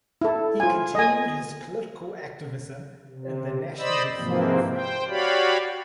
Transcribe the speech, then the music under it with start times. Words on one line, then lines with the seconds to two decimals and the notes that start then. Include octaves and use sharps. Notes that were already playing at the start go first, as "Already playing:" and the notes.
He continued his political activism in the National Reform Front.
0.21 E4 A4
0.60 F4 G#5
0.95 D#5 G#5
3.08 C3
3.78 C5 D5 D#5 B5 E6
4.16 G#2 C3 E3 F3 A#3 C4
4.72 C5 G5
5.08 F#4 G4 C#5 D5 F5 B5